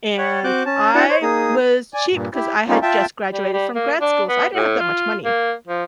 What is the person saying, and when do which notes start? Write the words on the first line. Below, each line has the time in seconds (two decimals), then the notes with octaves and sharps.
and I was cheap because I had just graduated from grad school, so I didn't have that much money.
0.18 C#5 F#5
0.44 C4 F#4 D6 F#6 G6
0.66 C#4 A5
0.94 D4 E4 F#4 D5 F#5 A5
1.09 C5 C#5
1.22 A#3 D#4 G#4 D#6
1.94 D5 G#5
2.11 G2 A#2
2.34 E4 G4
2.68 G3 A3 A#3 C#4 D#4 F4
2.82 F4 E5 G5 A5
3.33 G3
3.53 G3
3.75 A#3
4.01 D4
4.29 B3
4.55 A2
4.80 F4
5.25 A#3
5.67 F3